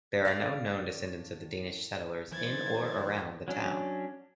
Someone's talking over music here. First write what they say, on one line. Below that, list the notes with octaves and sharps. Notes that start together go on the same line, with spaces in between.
There are no known descendants of the Danish settlers in or around the town.
A2 D5 F5
E3 A#3 D#4 C5 G#6 A6
F#3 C#4 D4